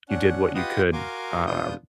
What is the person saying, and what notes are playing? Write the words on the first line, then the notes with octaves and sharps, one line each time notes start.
you did what you could, um,
C#4 D4 F#5
F4 G4 B4 D#5 F#5 D#6
F#4 A#4 F5 G#5 C6 D6
B3 D4 F4 F5 D#6 G6